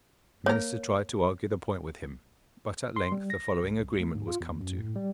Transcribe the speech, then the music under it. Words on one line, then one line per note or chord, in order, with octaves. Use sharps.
The minister tried to argue the point with him, but at length the following agreement was come to.
A#3 A#4 C#5
C6
G3
A#6
C2
A3
G#2
F4
E2
F#2
A2
G3